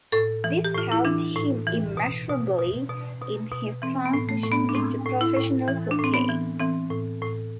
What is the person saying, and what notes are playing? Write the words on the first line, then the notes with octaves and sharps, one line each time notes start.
This helped him immeasurably in his transition into professional hockey.
A2 A4
E3
G4
A2 F4
E4
E3 D4
A2
E3
B2
B2
B2
B2
B2
B2
E3 C4
B3
A2
A3
A2
B3
D4
A2 C4
A2
E4
A2
E3
D4
A2
C4
B3
E3
E3 C4
A2
A2